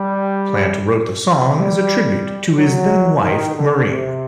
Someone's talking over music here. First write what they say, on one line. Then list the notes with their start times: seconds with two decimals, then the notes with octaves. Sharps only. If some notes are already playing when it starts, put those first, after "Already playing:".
Plant wrote the song as a tribute to his then-wife Maureen.
Already playing: G3
1.56 G3
2.55 F#3
3.21 D#3
3.54 D3
3.86 C3